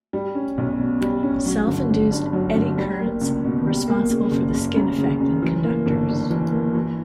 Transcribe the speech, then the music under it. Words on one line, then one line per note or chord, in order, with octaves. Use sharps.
Self-induced eddy currents are responsible for the skin effect in conductors.
G3
C#4
B1
B2
G3
C#4
F#3
G1
G1
G2
F#3
G1
G3
A#3
C#2
B2
G3
A#3
C#3
F#1
F#1
F#2
C#3
F#1
E3
A#3
G1
G2
E3
A#3
E3